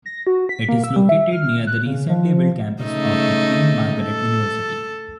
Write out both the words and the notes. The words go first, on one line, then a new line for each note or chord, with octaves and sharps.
It is located near the recently built campus of the Queen Margaret University.
A#6
F#4
B6
A#3
E6
G3
E5
F6
F#6
C#3
F3
C#3 A3 D#4
A4